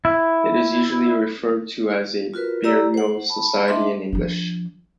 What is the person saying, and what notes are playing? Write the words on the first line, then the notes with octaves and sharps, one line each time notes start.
It is usually referred to as a burial society in English.
E4
F4 F#4 A#4 B4
G4 D5 A#5 E6
C5 F#5
A5 B5
A3 D4 D#5 E5 C6
F3 D4